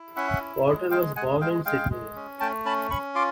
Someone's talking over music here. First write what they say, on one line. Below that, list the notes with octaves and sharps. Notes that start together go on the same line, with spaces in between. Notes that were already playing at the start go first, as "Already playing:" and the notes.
Porter was born in Sydney.
Already playing: E4
C#4 E5 F#5
E4
G#3
G#3 F5 G5
G#3 F#5 G#5
G#3 F5 G5
G#3 F5 G5
G#3
C#4
A3 G5 A5
C#4 A5 B5
C#4 B5 C#6
F4 C6 D6